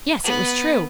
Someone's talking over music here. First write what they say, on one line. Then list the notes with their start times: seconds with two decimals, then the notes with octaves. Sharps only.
Yes; it was true.
0.24 B3